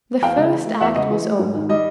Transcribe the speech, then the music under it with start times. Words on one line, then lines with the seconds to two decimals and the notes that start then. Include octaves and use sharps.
The first act was over.
0.22 E2 F5 G5
0.37 C#3
0.52 E3
0.66 A3
0.81 E2 E5 F#5
0.95 C#3 D#5
1.10 E3
1.25 A3
1.39 G#2
1.55 D#3
1.69 G3 D#5